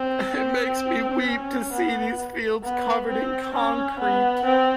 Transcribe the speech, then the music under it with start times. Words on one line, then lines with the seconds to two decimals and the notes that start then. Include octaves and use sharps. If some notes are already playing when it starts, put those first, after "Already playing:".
It makes me weep to see these fields covered in concrete.
Already playing: C4
0.35 C4
1.26 C#4
1.72 B3
2.63 B3
3.09 C4
3.54 C#4
3.99 B3
4.45 C4